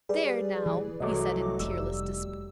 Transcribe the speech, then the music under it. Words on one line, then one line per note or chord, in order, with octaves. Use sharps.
"There now!" he said in tearless despair.
G3 G#4 B4 D5
E3
C2 F#3 A3 D#5 D6
F1 G3 E6